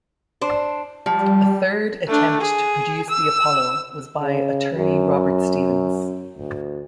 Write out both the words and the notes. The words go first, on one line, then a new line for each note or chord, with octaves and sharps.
A third attempt to produce the Apollo was by attorney Robert Stevens.
D4 C5
F3 G3
A3 D4
G#4
E6
C#3
F#2
D2